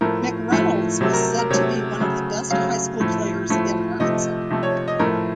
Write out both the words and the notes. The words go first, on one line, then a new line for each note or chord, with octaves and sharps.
McReynolds was said to be one of the best high school players in Arkansas.
A2 F3 A3 A#4
A2 F3 A3
C3 F#3 A3
A#4
A#4
C3 F#3 A3 C#5
C#3 F#3 A3
C#3 F#3 A3 F5
A2 F3 A3
A2 F3 A3
C3 F3 A3 D#5
C3 F3 A3
C#5
D#5
A2 F3 A3 A#4